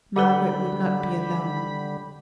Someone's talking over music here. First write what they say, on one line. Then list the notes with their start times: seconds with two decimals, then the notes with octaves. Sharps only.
Margaret would not be alone.
0.16 D3 G3 G4 A4 B4 F#5 B5 G7